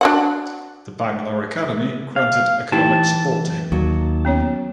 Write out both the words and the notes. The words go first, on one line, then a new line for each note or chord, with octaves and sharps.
The Bangla Academy granted economic support to him.
D4 F#4 F#5
F5
E3 D#4 E4 G4 A5
D#2 F#3
B3 C#4 C#5